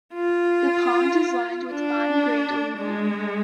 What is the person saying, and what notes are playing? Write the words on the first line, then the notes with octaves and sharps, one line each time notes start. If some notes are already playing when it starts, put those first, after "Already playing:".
The pond is lined with fine-grained alluvium.
F4
D4
G#3